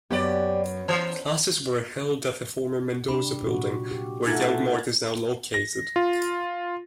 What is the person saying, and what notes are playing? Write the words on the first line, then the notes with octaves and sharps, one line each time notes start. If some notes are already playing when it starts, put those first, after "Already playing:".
Classes were held at the former Mendoza Building, where Young Mart is now located.
F#2 B3 C#4 G4 D5
E3 C5
C3 D4 G4 B5
A#2 F#4
G4
A3 D#4 F4 F#5 G#6
A#6
F4